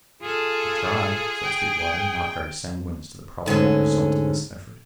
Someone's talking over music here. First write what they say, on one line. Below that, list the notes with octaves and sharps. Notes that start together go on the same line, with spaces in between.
"I'll try," said Sweetwater, not very sanguine as to the probable result of this effort.
F4 G#4 A4
G5
D2 G#2 D3 C#4